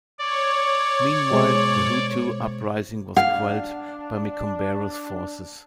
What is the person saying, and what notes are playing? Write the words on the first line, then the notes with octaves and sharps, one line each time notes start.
Meanwhile, the Hutu uprising was quelled by Micombero's forces.
C#5 D5
B2 G#3 C5
D4 F5 F#5